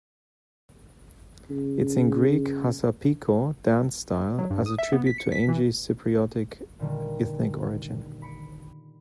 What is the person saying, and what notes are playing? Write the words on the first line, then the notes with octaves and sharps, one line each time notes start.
It's in Greek "hassapiko" dance style, as a tribute to Angie's Cypriot ethnic origin.
C#3
F#3
G2
D#6
E5
B3
B6
C#7
B6
E3
A#2 D3 D#3 G3
B5 C#7 D7